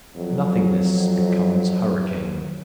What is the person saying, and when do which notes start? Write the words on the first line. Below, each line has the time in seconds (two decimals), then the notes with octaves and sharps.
Nothingness becomes hurricane.
0.16 F2 F#3